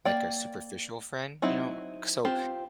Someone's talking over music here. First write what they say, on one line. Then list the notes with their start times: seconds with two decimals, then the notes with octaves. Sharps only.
like a superficial friend, you know? C So,
0.05 A#3 D5 G5
1.42 F#3 C4 D#4 E4
2.25 C4 F4 G4 C5